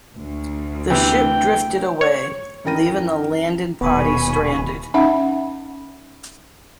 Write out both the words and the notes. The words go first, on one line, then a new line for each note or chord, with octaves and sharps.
The ship drifted away, leaving the landing party stranded.
D2
C3 E3 G5
C#5
F#2 E3 A#4 G5 A#6 D#7
D#1 D#2 B2 B3 G#5 B5 C#6
C#4 D#4 E5 F#5